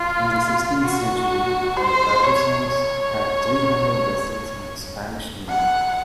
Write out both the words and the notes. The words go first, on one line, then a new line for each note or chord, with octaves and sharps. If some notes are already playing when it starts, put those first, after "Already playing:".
In the sixteenth century the Ragusan's had three hundred vessels in the Spanish navy.
Already playing: F4
F#4
C5
C#5
C#5
F#5